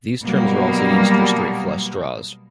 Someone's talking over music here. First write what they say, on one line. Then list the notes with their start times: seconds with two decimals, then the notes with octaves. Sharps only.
These terms are also used for straight flush draws.
0.23 B2 F#3 G3 A#3 B3